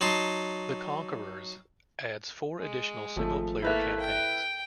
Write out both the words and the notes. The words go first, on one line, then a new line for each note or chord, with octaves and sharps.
"The Conquerors" adds four additional single player campaigns.
F#3 D#4 A5 C6
G#3
G#1 F3 A3
A3 A#3 E4 B4 E5
G5